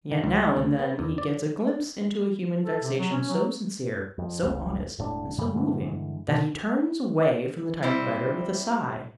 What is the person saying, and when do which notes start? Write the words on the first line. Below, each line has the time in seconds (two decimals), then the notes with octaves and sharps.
Yet now and then he gets a glimpse into a human vexation so sincere, so honest, and so moving that he turns away from the typewriter with a sigh.
0.12 D#3
0.24 C#2
0.57 D2
0.79 B3
0.99 E2
1.18 D5
2.66 A4
2.82 C3
2.97 F#3
3.13 C#4
3.30 F#3
4.18 F2
4.43 F1 C#2 C#3
4.98 E1 A2 C4 D4
5.38 F#2 A#2 C#3 G3
5.54 G2 D3 E3 G#3
6.28 B2 D3
7.83 G3 C4 E4